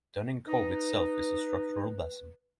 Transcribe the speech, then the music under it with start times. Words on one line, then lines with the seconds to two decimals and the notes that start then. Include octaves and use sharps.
Dunning Cove itself is a structural basin.
0.46 D#4 B4